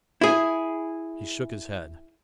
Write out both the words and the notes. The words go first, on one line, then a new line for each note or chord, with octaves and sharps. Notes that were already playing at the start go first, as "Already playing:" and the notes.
He shook his head.
E4 G#4